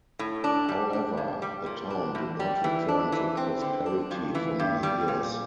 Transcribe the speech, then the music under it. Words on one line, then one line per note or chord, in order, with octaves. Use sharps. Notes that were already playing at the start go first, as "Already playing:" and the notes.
However, the town did not return to prosperity for many years.
A2
D4
G3
D4
G2
G3
A#2
D4
E2
G3
E3
D4
E3
C4
D3
D4
F2
E3
G2
G3
A#2